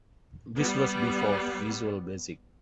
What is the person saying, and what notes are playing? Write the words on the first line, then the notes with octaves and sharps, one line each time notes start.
This was before Visual Basic.
G3 B3